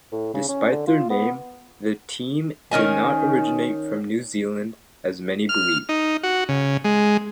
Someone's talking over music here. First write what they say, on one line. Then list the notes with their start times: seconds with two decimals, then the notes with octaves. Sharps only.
Despite their name, the team did not originate from New Zealand as many believe.
0.12 A2
0.34 C#3
0.49 C#4
0.72 D3
0.87 F4
1.10 B3
2.71 D#3 C#4 D#5 G#5
5.49 F6
5.89 D#4
6.23 F#4
6.49 C#3
6.84 G#3